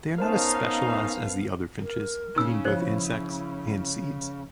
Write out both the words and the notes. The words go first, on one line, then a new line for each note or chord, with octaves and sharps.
They are not as specialised as the other finches, eating both insects and seeds.
B3 C#4 D#4 A#4 C5 F5 A5
A#4
C#3 D#4 E6
F3 E4 C5 C#5